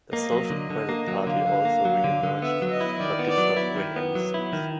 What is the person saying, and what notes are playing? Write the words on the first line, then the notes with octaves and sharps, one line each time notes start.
The Social Credit Party also re-emerged, but did not win any seats.
A#3 D#5
F#3
D3
D3
A#3
F#3
D3 F5
D3
A#3
F#3
D3
D3
B3 E5
F#3
D#5
E4
D#3 D5
B3
D5
F#3
E4
D#3
B3
F#3
E4
D#3